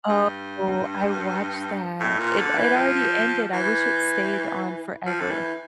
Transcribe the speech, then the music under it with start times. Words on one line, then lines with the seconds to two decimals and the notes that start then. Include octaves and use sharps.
Oh, I watched that. It it already ended, I wish it stayed on forever.
0.09 G2
2.00 A2
2.19 A#2
2.39 D3
2.58 E3
2.76 F3
3.53 E3
5.06 F3
5.20 D3
5.30 E3